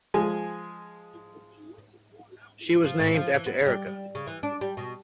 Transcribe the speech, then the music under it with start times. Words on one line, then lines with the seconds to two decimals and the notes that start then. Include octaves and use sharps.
She was named after Erica.
0.14 F3 G#3 G#5
2.84 F3
2.99 A2
3.14 F3
3.34 E3
3.46 B3
3.66 G3
3.86 G3
4.15 C#3
4.27 E3
4.43 D4
4.61 G3
4.77 B2